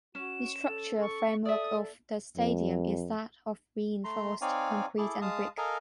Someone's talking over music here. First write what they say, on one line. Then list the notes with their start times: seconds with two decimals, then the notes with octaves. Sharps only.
The structural framework of the stadium is that of reinforced concrete and brick.
0.15 C#4 F#4 E7
0.67 A4
1.01 C#6
1.45 A4 D5 E5 D#6
2.37 F2
4.04 A3 A#5 C6
4.41 C4 D#4 C#5 D5 F5 G#5
4.98 E4 G#4 A4 D6
5.21 G#3 F5 A5 D#6
5.58 A4 A#4 D#5 F5 G#5 A#5